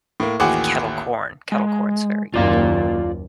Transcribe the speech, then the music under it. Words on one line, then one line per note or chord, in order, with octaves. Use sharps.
kettle corn, kettle corn's very good.
A2 A#3
A1 D#2 F#4 G#4 F#5 D6
G#3
F#1 D#2 F4 D5 F5